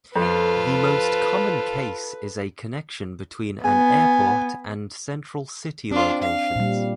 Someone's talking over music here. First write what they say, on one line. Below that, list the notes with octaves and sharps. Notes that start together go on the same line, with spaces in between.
The most common case is a connection between an airport and central city locations.
F2 F4 A4 B4
B3 G#5
C4 D4 F4
F5
A#2 G3